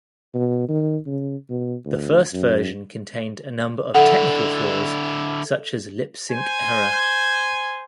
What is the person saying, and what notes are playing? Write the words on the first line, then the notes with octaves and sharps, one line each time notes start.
The first version contained a number of technical flaws such as lip-sync error.
B2
D#3
C#3
B2
D2
F#2
D3 E4 A4 E5 F#5
C5 G#5